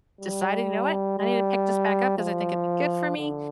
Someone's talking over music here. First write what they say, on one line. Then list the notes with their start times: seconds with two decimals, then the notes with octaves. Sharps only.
decided, "You know what, I need to pick this back up 'cause I think it'd be good for me,"
0.21 G3
1.19 G3
2.18 F3
3.18 D3